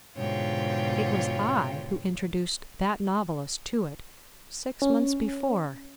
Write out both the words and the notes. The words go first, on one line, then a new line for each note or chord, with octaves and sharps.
It was I who introduced that novelist to it six months before.
G#2 B2 D3 F4 C#5 G5
C#4